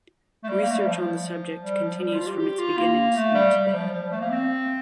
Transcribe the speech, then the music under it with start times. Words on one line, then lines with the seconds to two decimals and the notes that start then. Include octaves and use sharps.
Research on the subject continues from its beginnings through today.
0.44 A3
0.49 G3
0.62 A#3
0.70 A3
0.78 G3
0.87 F3
1.64 G3
1.83 F3
2.01 G3
2.14 F4
2.26 G4
2.39 G4
2.58 F4
2.78 A#3
3.16 A3
3.35 G3
3.54 G3
3.67 G3
3.73 F3
3.92 F3
4.02 G3
4.12 A3
4.21 A#3
4.31 C4